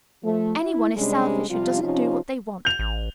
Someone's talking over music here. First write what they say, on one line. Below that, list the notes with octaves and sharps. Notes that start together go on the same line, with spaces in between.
Any one is selfish who doesn't do what they want.
F3 A3
E4
C3 G3 G#3 C#4 D4
C3 F3 G3 F4
C3 F3 C#4 D#4 F4
G6 F7
A1